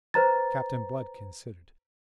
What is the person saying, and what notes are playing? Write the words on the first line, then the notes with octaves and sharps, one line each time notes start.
Captain Blood considered.
B4 C5 A#5 A6